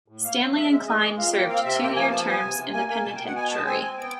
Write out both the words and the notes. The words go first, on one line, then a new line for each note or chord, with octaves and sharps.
Stanley and Kline served two year terms in the penitentiary.
A2
A#3 F5
F#3
G#3 E5
G#3
E3 D#5
G#3
A#2 F5
A#3 G5
C4 F5
C3 E5
A#3 G5
F3 G#5
B3 A5
B3 G#5
C3
C3
A#3 G#5
A#3 G#5
B2 A5
G5
B2
F#5
B3 G#5
G#3 A5
C4 G#5
C4
B3 G5